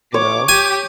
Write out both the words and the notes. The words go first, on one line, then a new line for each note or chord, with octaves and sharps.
You know.
C#5 D6
G4 G#5